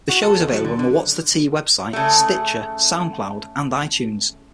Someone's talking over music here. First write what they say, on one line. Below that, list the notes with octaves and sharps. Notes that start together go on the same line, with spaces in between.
The show is available on the What's The Tee website, Stitcher, Soundcloud and iTunes.
F#4
A4
D#2
F#3
D3
D3
C#3 A3